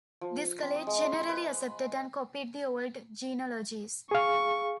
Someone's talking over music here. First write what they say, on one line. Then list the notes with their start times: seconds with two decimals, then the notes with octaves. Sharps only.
This college generally accepted and copied the old genealogies.
0.21 F3
0.62 C4
0.76 D#6
0.87 G#3
1.02 C6
1.29 B4
4.11 G#4 F5 C#6